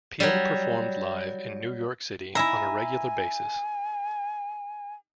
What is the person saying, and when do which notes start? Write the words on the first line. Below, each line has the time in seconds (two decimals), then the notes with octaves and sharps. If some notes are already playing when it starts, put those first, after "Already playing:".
Peel performed live in New York City on a regular basis.
0.20 F#3 G3
2.35 D#4 E4 E5 G#5 A#5